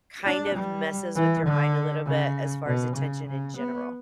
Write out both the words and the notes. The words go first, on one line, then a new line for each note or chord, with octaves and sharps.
kind of messes with your mind a little bit, as far as attention in general.
D4
G3
E3
D3
C#3
B2
C#3
C#3
B3